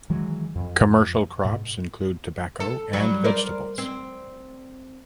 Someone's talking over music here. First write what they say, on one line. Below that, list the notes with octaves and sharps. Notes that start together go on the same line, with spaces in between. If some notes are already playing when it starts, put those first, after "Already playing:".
Commercial crops include tobacco and vegetables.
D#3 E3 F#3 G#3
F2
G#2 B2
A4
F#3 G3
A#4 C5 D5
C4